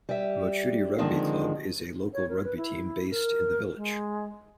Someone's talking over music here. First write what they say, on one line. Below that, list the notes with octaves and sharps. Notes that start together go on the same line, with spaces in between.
Mochudi Rugby Club is a local rugby team based in the village.
G3 E5
D3 D#3 F3 G#3 C4
C#5
A#4
B4
E4
A#4
G#3